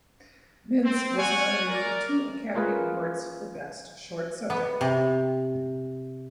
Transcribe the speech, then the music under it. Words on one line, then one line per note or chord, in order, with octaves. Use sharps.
Mintz was nominated for two Academy Awards for Best Short Subject.
C4
C#5 D5 F#5 G#5 C#6
A#4 D5
A#3 C#4 F4 G#4 A#4 B4
B3
C3